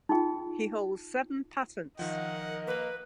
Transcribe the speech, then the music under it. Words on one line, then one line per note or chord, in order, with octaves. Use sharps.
He holds seven patents.
D#4 F4 G#4 G5
D#3 F3 A#4 D#5 F#5
A#3 B4